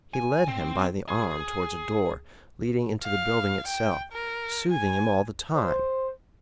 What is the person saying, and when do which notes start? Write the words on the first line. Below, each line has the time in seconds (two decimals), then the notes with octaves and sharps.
He led him by the arm towards a door leading into the building itself, soothing him all the time.
0.14 G#5
0.48 C4
1.09 G#4
3.04 F5
3.67 G5
4.12 A#4
4.71 G#5
5.55 C5